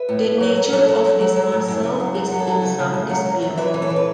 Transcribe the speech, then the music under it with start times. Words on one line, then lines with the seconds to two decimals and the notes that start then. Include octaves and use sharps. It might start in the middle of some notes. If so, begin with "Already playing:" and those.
The nature of this muscle is in some dispute.
Already playing: B4 E5
0.09 A2
0.25 A2
0.41 F#3
0.57 F#3
0.72 F#3 A4 C#5
0.88 F#3
1.05 F#3
1.21 F#3
1.36 F#3
1.52 A2
1.68 F#2
1.83 C#3
2.00 F#3
2.15 F#2
2.32 F#3
2.39 E4 A4
2.47 F#3
2.62 C#3
2.79 C#3
2.94 F#2
3.10 F#3
3.26 F#3
3.42 F#2
3.58 E3 B4 E5
3.74 E3
3.82 A4 C#5
3.90 E3
3.96 B4